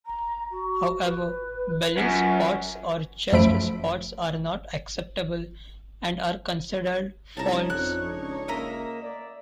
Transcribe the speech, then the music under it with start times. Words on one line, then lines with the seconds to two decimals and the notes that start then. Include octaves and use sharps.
However, belly spots or chest spots are not acceptable, and are considered faults.
0.06 A#5
0.51 F#4
1.05 B4
1.97 F#2 F4
3.32 F#2 F3 A3 C5 B5 D7
7.37 C2 C#4 D#4 C#5 A5 A#5
7.70 F2 D4 F#6
8.12 C#2
8.48 A#3 D#5 E5 A#5
9.03 D5